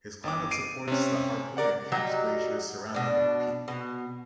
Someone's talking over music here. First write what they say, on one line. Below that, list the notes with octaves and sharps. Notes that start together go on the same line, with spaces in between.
This climate supports the Harpoon and Capps Glaciers surrounding the peak.
G1 D6
C7 D7 D#7
C3 C#4
A#4 D5 F#5
F#3 G3 D#4 D#5
B2 D4
B2